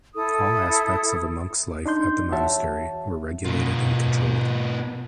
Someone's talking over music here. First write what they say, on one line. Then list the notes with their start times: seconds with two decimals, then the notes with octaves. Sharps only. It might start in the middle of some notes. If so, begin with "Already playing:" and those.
All aspects of a monk's life at the monastery were regulated and controlled.
0.14 E4 A4 D#6
1.86 D4 D#4 C6 G6
2.32 E2 F#4 C#5 E5 A5
3.45 B2 F4